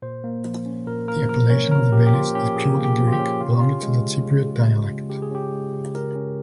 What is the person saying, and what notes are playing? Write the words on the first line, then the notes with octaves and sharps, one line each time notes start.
The appellation of the village is purely Greek, belonging to the Cypriot dialect.
A#2 C5
A#3
F3
C#4
A#2 A#4
A#3 A#4
F3 A#4
C#4 C#5
A#2 A#4
A#3 G4
G4
F3 F4
C#4 G4
A#2 G#4
A#3
G4
F3
F4
G4
C#4
C#3 F4
G4
C#4 F4
G#3
C#3
C#3
C#4
G#3
C#3
C#3 G4
G#4
C#4 G4
G#3
C#3
C#3 A#4
C#4